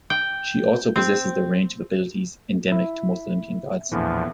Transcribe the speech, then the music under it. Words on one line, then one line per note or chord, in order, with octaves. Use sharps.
She also possesses the range of abilities endemic to most Olympian gods.
G5
C4
E4 E5
A#1 E2 A2 E3 F3